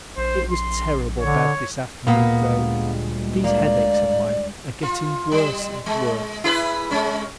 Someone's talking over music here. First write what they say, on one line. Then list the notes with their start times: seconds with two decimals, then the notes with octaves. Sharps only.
It was terrible bad this afternoon, though. These headaches of mine are getting worse and worse.
0.17 A#1 C5
0.51 C6
1.21 D3 C#5
2.07 D2 A#2 G3 G#3 A#3 B3
3.44 A#3 D5
4.83 F4
5.32 G3
5.86 G#3
6.44 E4 G#4 B4
6.91 G#3 C#4